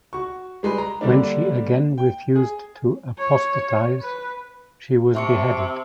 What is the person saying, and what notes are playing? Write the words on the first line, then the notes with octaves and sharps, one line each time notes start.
When she again refused to apostatize, she was beheaded.
F#4 C#6
G3 G#3 B4
A#5
D3 G3 A#3 D4
G5
G#4
C#5
B4
C3 E5 A5 C#6 C#7